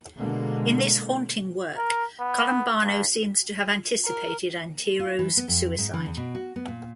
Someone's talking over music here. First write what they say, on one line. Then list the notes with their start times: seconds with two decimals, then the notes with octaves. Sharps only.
In this haunting work Columbano seems to have anticipated Antero's suicide.
0.19 B2 D3 G#3 A#3
1.77 A#4
2.20 B3
2.83 G2
4.04 A#4
5.00 F4
5.19 E3
5.37 B3
5.48 F2
5.78 G#2
5.94 E3
6.06 E2
6.17 B2
6.35 F#4
6.56 B3
6.68 A#2